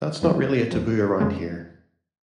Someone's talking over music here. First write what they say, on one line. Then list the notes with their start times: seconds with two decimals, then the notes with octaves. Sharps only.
That's not really a taboo around here.
0.22 E2 C#3 F#3 A#3
0.72 D2 C3 F3
1.20 F2 C#3 F3 G#3